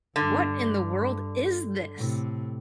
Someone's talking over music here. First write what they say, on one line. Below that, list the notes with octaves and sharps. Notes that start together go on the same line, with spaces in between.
What in the world is this?
G2 D3
A2 C3